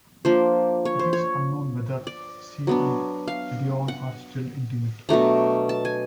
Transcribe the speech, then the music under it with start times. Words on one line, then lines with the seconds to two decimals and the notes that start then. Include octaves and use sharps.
It is unknown whether she and Gideon are still intimate.
0.25 F3 A#3 D4 C5
0.85 C#5
0.99 C5
1.13 C#5
2.07 D5
2.67 F#3 B3 D4
3.28 F5
3.88 F#5
5.09 B2 F#3 A3 D4 A#5
5.69 A5
5.85 G#5